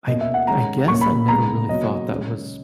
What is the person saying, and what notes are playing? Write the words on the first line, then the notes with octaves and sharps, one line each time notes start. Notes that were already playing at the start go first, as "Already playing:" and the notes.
I I guess I never really thought that was
B2 A#3 C#4 D#5
E5
F#5
D#3 G#3 C#4 A#5
A#2 A#3 C#4 C#6
B5
C#3 G#3 B3 A#5
B2 F#3 A#3 C#4 D#5
C#3 G#3 C#4